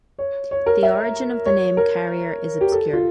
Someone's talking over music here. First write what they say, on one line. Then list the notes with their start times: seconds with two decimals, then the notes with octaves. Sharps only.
The origin of the name "Carrier" is obscure.
0.19 C#5
0.51 C#5
0.66 A#4
0.83 E5
1.46 C#5
1.77 A#4
2.61 G4
2.72 A4
2.93 F4